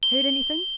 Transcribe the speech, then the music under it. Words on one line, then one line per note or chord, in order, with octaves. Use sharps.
Heard anything?'
G7